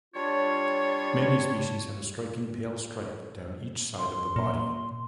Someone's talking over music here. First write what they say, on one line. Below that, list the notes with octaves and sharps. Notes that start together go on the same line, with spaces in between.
Many species have a striking pale stripe down each side of the body.
G3 D4 F4 C#5
C6
A#2